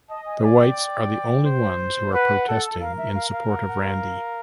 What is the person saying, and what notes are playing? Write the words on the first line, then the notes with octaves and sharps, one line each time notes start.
The Whites are the only ones who are protesting in support of Randy.
D#5 A5
G#5
D5 G#5
G5
C5
B4 F#5
A4
A#4 F5
E5
F5
F5
F#5
F5
F#5
F5